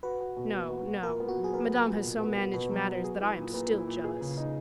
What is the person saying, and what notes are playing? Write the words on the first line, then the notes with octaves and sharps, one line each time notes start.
"No, no. Madame has so managed matters, that I am still jealous."
F#4 B4
F#4
B2
A#3
F#4
F#4
A#2 A#4
B3
F#4
F#3
G#4
B3 A#4
A#2
A#2
B2
B3
B3
B2 B4
F#3
F#4
G#4
E4
A#2
A#2 B4
E4
A#2
G#4
C#3
D#4